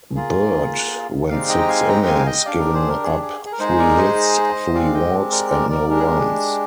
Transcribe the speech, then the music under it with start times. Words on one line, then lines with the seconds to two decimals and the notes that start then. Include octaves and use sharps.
Byrd went six innings, giving up three hits, three walks and no runs.
0.16 A#3 F4 G#4
1.30 G#3 C4 D#4 G4 D5 F5
1.49 D#5 G5
1.61 A#5
1.68 F5 G#5
1.88 G5 A#5
2.07 F5 G#5
2.26 D#5 G5
2.45 D4 G4 D5 F5
2.59 A#4 D5
2.74 G#4 C5
2.89 A#4
3.03 G#4
3.22 G#4
3.45 G#4
3.52 A#4
3.59 G#3 D#4 G#4 C5
3.79 A#4 D5
3.98 C5 D#5
4.74 G#3 C4 G4 D5 F5
4.94 D#5 G5
5.32 A#4 D5
5.51 A#4 D5
5.70 A#4 D5
5.89 G#3 D4 G4 A#4
5.99 G#4
6.03 A#4